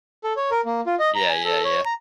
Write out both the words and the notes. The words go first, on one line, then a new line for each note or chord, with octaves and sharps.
Yeah, yeah, yeah.
A4
C#5
A#4
A#3
F4
D#5
A#5
G#5
A4
C#5
A#5